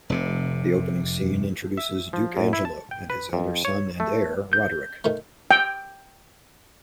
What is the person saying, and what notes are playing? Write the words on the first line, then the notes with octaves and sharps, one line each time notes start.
The opening scene introduces Duke Angelo and his elder son and heir, Roderick.
F1 C3
E5
F3
F#2
E4
A5
G5
B4
F2
C#5
A3
G6
D#3 A3
G5